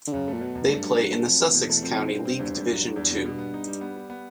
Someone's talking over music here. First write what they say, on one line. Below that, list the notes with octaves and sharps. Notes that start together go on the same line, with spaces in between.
They play in the Sussex County League Division Two.
D3
F#2 C#3
A3
A#2
B2 F#3
F#2
G2 A3
F#3
G2 F#3
A3
F2 F#3
A3
E2 B2
A3
F2 C4
B2
G2 C4
C4
E2 G2
E2
F#3
F#3
E2
B2
B2
B3
D#4
G3
B3
G3
B3